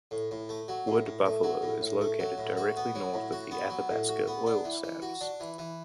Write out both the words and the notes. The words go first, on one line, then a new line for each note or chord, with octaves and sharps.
Wood Buffalo is located directly north of the Athabasca Oil Sands.
A2
A2
A3
F#3
A2
A2
A3
F#3
A2
A2
A3
F#3
A2
F#4
B3
F#3
A2
F#4
B3
F#3
A2
F#4
B3
D4
E3
E3
F#4
D4
E3
E3